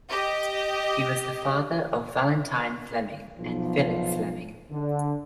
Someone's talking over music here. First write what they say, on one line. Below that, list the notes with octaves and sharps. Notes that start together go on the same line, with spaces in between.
He was the father of Valentine Fleming and Philip Fleming.
G4 D#5
B1 F3
D3